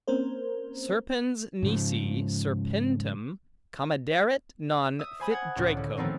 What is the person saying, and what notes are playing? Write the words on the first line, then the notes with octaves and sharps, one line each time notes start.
Serpens nisi serpentem comederit non fit draco.
A#3 C4 C#4 A#4 C5
G#2 C#3 F3
E5 D#6
C5 G#5 B5 D#6
F#5 G#6
C#2 A2
D3
D#3 F3 A3 B3 C4 D#4